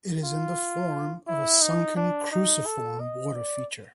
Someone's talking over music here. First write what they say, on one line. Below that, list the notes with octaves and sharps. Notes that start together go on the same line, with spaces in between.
It is in the form of a sunken cruciform water-feature.
F4
E4
D#4
D4
D#4
A4
D#5
D5